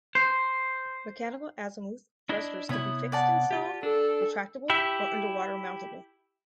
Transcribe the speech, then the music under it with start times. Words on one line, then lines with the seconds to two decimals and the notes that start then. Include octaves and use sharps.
Mechanical azimuth thrusters can be fixed installed, retractable or underwater-mountable.
0.15 C5
2.29 D4 E4 D#5
2.69 C3 B3 E4 C#5 D#6
3.12 D5 F#5 A5
3.51 F4 G4
3.83 D4 A4
4.70 E4 G4 E5